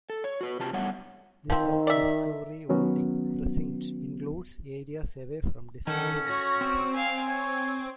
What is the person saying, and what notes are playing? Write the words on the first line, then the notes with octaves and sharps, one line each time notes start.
The South Discovery voting precinct includes areas away from Discovery Bay, as well.
A4
C#5
F#4 B4
C3 C4 F4 G4 A5
G3 A3 B3 C#5 E5 F#5
D#3 F3 C4
D5 E5
D#3 F#3 B3 C#4 F#4
D#3 C#4 A4 F#5
F#4 C#5 A#6
C4
F5 G#5
C#5 G#5